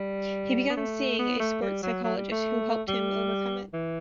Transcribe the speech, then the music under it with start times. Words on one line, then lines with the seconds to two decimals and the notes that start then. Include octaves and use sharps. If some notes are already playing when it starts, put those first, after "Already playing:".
He began seeing a sport psychologist who helped him overcome it.
Already playing: G3
0.70 B3
0.77 A3
1.19 B3
1.40 A3
1.62 G3
1.82 F#3
2.04 F#3
2.17 G3
2.31 A3
2.88 G3
3.73 E3